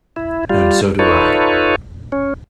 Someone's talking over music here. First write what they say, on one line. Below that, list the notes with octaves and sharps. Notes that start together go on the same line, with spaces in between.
And so do I.
E4
G3 F4
D#4 F4 A4 B4 C#5
C#4